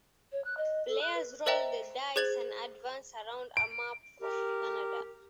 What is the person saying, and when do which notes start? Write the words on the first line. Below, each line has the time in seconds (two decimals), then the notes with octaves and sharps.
Players roll the dice and advance around a map of Canada.
0.32 C#5
0.44 F#6
0.57 D#5
0.87 A4
1.00 F#6
1.14 B4
1.46 A#4 C5 D#5 E5 G5 A#5
2.16 G#4 C5 G#6 A6 F#7
3.57 D7
4.22 G4 A#4